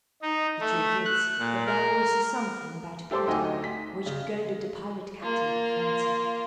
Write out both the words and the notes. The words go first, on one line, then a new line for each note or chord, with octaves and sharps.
The truth is that there was a something about Peter which goaded the pirate captain to frenzy.
D#4
A3
F#6
A#2
A#4
G4 A4 C5 C6 D6
D2 F#3 D#4 D#5 G5 G#5
B6
C#3
A#3 F4